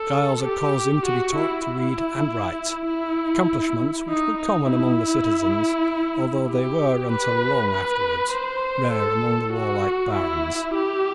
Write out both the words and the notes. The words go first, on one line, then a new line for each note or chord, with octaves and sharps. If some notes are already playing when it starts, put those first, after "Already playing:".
Giles had caused him to be taught to read and write, accomplishments which were common among the citizens, although they were until long afterwards rare among the warlike barons.
Already playing: A4
G4
F#4
E4
E4
E4
D#4
D#4
E4
G4
B4
B4
C5
A4
F#4
E4
G4